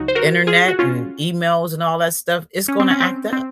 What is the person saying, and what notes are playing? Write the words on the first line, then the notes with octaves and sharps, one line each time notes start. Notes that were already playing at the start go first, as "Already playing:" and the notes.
Internet and emails and all that stuff, it's gonna act up.
Already playing: C#2 C#3 F#3 D#4 F#4
C5
F#4 A#4
F4 G#4
F#4
C#4 F4
C#4
C4
C#4
C4
C4